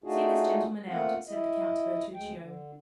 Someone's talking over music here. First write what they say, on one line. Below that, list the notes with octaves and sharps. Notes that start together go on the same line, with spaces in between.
"See this gentleman out," said the count to Bertuccio.
A3 D4 D#4 F4 F#4 G#4
A3 A#3 C4 F4 F5 F#5
E4 D#5
D2 G#3 G5
D3